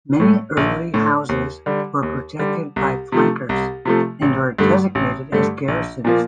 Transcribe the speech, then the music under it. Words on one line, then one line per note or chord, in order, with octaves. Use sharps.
Many early houses were protected by flankers, and were designated as garrisons.
A2 A3
A#1
A2 A3
D#2
D3 G3
D#2
D3 G3
C2
C3 F3 A3
C2
C3 F3 A3
A1
G2 D3 A3
A1
G2 D3 A3
A#1
A#2 F3 A#3